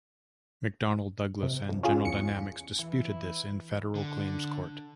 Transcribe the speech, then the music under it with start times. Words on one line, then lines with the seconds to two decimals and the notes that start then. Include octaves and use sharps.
McDonnell Douglas and General Dynamics disputed this in Federal Claims court.
1.43 C3
1.69 F2
1.83 C#4 F4 G#4
2.05 E2 C#7
2.79 E3 E4
3.95 D3